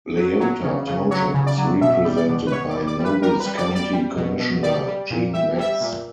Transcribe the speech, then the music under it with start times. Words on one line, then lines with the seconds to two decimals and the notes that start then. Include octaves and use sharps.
Leota Township is represented by Nobles County Commissioner Gene Metz.
0.17 F#3
0.40 F#3
0.64 C#3
0.87 C#3
1.11 F#3 C#5
1.34 C#3
1.47 D5
1.58 F#3
1.81 B2 E5
2.05 G3
2.16 D5
2.28 B2
2.47 B4
2.52 B2 C#5
2.70 D5
2.75 G3
2.87 D5
2.99 G3
3.05 B4
3.22 G3 A#4
3.40 B4
3.46 G3
3.58 D5
3.69 G3
3.75 D5
3.93 G3
4.17 B2
4.40 B2
4.63 G3 D5
4.87 G3
5.11 A#2
5.33 G3 E5
5.57 G3 E5
5.81 A#2